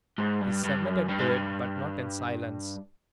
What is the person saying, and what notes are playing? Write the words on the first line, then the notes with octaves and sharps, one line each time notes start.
He submitted to it, but not in silence.
G#2
G2
G2
F#2
G2
G#2
G2